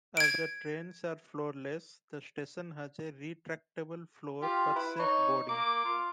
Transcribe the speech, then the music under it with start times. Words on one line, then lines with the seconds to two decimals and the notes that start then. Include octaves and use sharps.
As the trains are floorless, the station has a retractable floor for safe boarding.
0.17 G#6 D7
4.42 F4 G4
4.76 E4 B4
4.99 D#4 C#5
5.49 A#3 D6
5.84 F4